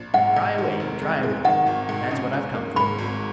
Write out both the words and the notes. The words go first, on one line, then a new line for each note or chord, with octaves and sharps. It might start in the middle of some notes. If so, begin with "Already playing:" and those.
"Try away, try away; that's what I've come for."
Already playing: A#1
G#2 F#5
G#2
D#3
F1
G#3
G#3
D#3 F#5
G#1
G#2
C#3
C#3
A#3
G#2 B5
G#1